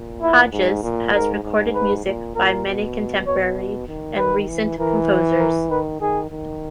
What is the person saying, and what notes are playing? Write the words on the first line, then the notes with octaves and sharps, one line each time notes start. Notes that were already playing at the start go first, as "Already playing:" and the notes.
Hodges has recorded music by many contemporary and recent composers.
Already playing: A#2
E4
G#2
A#2
G#2 A#4
G#2
B4
A#2
A#2 A#4
B2
B2 C#5
D#3
B4
E3
E3 A#4
A#4
D#3 B4
D#3 G#4
D#3